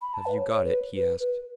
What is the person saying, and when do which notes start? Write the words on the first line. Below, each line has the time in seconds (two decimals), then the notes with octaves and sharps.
"Have you got it?" he asked.
0.01 B5
0.14 A5
0.26 B4
0.37 C#5
0.49 C#5
0.65 B4
0.96 B4
1.20 B4